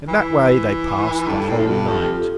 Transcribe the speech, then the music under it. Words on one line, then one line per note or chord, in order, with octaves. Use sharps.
In that way they passed the whole night.
E3
G2 A4
A2
F2
G2 A4
F2 G4
F4